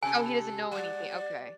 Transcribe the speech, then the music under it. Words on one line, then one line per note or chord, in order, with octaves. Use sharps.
Oh, he doesn't know anything, okay.
C3 G4 A4 B4 G#5
G3 D5 F#5